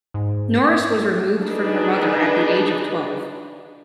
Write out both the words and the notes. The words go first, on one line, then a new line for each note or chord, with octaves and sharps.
Norris was removed from her mother at the age of twelve.
G#2
D4 D#4 G#4 B4